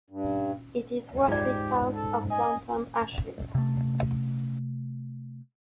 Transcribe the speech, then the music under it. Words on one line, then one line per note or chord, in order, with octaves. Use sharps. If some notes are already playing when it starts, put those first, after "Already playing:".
It is roughly south of downtown Asheville.
G2
G#2 F4 G4 D5
A4
D#5 G#5
C3 A3